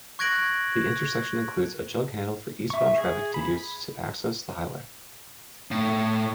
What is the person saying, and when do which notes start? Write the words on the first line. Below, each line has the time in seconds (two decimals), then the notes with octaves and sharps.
The intersection includes a jughandle for eastbound traffic to use to access the highway.
0.19 C#6 F#6 G#6 A#6 D7 F#7
2.70 E5 C#6
2.98 G#4
3.34 B5
5.71 A2